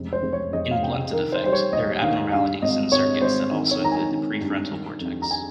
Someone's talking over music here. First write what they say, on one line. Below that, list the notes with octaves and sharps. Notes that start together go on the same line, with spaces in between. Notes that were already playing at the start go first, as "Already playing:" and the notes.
In blunted affect, there are abnormalities in circuits that also include the prefrontal cortex.
Already playing: F1 C#2
C5
F1
C#5
F1 D#5
F5
C3 G5
D#3 A#4
C5
G3 C5
C#5
D#2 D#5
D#3 F5
G2 F5
G#1 D#5
G#1 C#5
G#1 C5
D#3
C#5
D#3 A#5
G#5
D#3
G2
D#3
F2
A#5
G#5